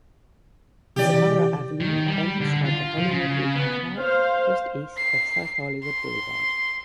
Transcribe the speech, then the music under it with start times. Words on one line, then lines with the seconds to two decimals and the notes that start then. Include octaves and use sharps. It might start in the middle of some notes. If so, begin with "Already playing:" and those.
Sahara Avenue ends at the Hollywood Regional Park, just east of S Hollywood Boulevard.
0.96 C3 E3 G4 D5
1.81 D#3
2.06 G3
2.40 D3
2.65 F4
2.98 F3
3.11 C#3
3.56 B3
3.98 C5 F5
4.97 C7
5.83 C6